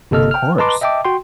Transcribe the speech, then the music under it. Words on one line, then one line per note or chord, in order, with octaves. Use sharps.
Of course.
G1 C3 A#3 A4 D#5 F6
G5 F6
B4 D#5 A5 A#5 C6 D6
D#5 E5 G5 A5 D6
F#4 G5 C6